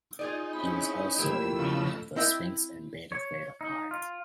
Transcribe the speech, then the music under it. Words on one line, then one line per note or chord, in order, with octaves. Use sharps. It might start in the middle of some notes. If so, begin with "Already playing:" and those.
He was also a member of the Sphinx and Beta Theta Pi.
D#4 F4 G#4 D5
C4 C#4 E4 B5
F2 A3 A#3 E4 G4 B5 E6
C#3 F3
C4 E4 D#5 E5 G5
C#5
D#4
F4